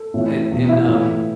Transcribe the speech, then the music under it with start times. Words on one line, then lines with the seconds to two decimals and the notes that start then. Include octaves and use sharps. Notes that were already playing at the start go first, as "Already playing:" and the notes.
and and, um,
Already playing: A4
0.14 A2 E3
0.51 E2 B2
0.69 E4
0.88 A2 E3